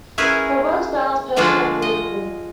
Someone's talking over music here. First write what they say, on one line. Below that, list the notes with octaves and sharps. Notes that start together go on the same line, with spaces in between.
Her works balance personal and political.
C#4 E4 G#4 A#4 B4
D3 F3 G#3 D4 F4 F#4
D#5